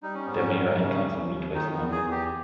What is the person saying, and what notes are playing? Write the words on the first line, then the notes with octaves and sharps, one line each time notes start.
The mayor and council meet twice a month.
G3 D#4
C#4
G#2 B3
C#4
G3
C#3
D#2
D#2
D#3 D#4
B3
E2
G#4
E2
G4